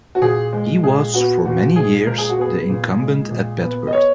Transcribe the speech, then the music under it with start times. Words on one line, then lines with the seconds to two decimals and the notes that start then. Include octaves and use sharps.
He was for many years the incumbent at Bedworth.
0.15 F#4
0.22 A#2 G#4
0.53 G#3
0.84 A#2 G#4
1.14 B3 F#4
1.45 A#2 F#4
1.76 G#3 G#4
2.07 A#2 A#4
2.18 G#4
2.30 F#4
2.38 B3 G#4
2.69 A#2
2.99 G#3
3.31 A#2
3.62 B3
3.87 D#5
3.93 C#5